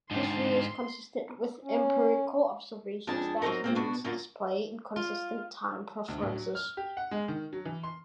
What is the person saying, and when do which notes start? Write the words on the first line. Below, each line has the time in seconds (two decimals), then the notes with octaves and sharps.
This view is consistent with empirical observations that humans display inconsistent time preferences.
0.11 F2 G#2 D3 F3 D4 D#4 G5 C6
1.63 C#4
3.07 F2 G#3 D4 D#4 G#4 A5
3.42 F#3 C4 C#4 D#4 A#4
3.64 A#3 C4 F4
3.75 B2 B3 D4 F#4
4.04 F#2 A#2 D3 A3 A#3 A5
4.96 F4
6.08 D2
6.22 A2
6.35 F#3
6.55 F6
6.77 G4
6.97 F#5
7.11 G#3
7.28 D#3
7.53 F#3
7.65 E3
7.83 C6